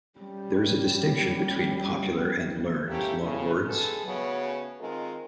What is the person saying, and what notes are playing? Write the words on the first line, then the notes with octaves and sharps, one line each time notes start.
There is a distinction between "popular" and "learned" loanwords.
G3 C#4
A3 A#3 C#4 E4 G4
A2 C#3
G#3 B3 G#4 A4
C#3 A3 B3 C#4 F#4
D#3 G#3 C4 F4 G#4 A#4